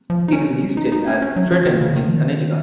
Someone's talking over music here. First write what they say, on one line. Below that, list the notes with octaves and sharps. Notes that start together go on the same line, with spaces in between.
It is listed as threatened in Connecticut.
F3
D#4
C#4
D#4
D#4
C#4
C#4
F#3
F3
D#3
C#3
D#3
F3
D#3